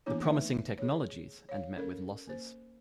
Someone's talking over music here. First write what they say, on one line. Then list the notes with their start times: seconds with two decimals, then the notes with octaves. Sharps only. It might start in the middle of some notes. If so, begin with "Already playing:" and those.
The promising technologies and met with losses.
0.06 E3 A#3 B3 D4 E4 C#5
0.23 A3 D#4 B4 E5
0.79 G#4 C#5
1.49 C#5 F5
1.77 C#4 A4 A#4
2.27 A#3 C5